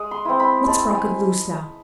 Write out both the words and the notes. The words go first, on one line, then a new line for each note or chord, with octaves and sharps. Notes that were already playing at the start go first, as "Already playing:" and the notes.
What's broke loose now?
Already playing: G#3 D#6
C6
C4 E4
B5
G#3 A5
G#5